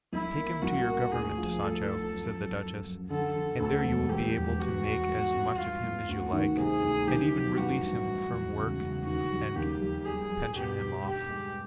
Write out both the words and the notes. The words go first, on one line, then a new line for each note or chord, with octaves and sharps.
"Take him to your government, Sancho," said the duchess, "and there you will be able to make as much of him as you like, and even release him from work and pension him off."
C2 E4
A#3
C2 F#4
A#3
D2 G#4
F3
A3 A4
F3
F#2
F#2
F#2
F#2
D3 A4
D3
D2 A4
E1
E2 G4
E1
E1 F#4
E1
G1
G2
E3 F4
G1
D2 F#4
D#3
C3 G#4
D2
D#3 G4
F#3
G2 F#4
A1
E3
E1
C#3
C#3
D#2 F#4
G3
D#2 G4
G3
G3 G#4
G3
B2 G4
G3
G2 G4
G#3